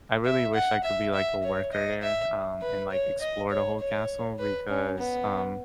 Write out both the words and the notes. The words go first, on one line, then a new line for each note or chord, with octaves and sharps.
I really wish I could be, like, a worker there, um, and, like, explore the whole castle because, um
E5
F#5
E5
E5
C#5
D#5
E5
B4
C#5
D#5
C#5
C#5
B4
C#4
B3